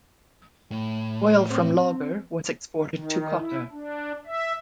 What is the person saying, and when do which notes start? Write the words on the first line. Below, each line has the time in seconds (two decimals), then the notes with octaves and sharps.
Oil from Logger was exported to Kotter.
0.71 A2
1.50 C4
2.89 D#3
3.37 E4
3.71 D4
4.26 E5